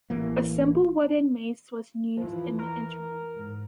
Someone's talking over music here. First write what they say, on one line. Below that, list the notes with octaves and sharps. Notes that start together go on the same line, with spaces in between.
A simple wooden mace was used in the interim.
A1 E3 A#3
E2 E3 F3
A#4
G#2